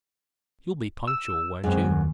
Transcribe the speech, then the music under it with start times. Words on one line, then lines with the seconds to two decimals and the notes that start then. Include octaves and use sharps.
"You'll be punctual, won't you?"
1.07 E6
1.64 F#2 G#3 C4
1.84 D#2